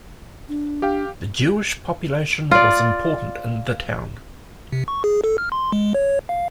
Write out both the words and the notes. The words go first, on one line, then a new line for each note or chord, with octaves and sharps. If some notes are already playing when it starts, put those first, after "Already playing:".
The Jewish population was important in the town.
D4
G4 F5 G5
F4 D5
C3
C#6
G#4
A4
F6
C6
G#3
C#5
F5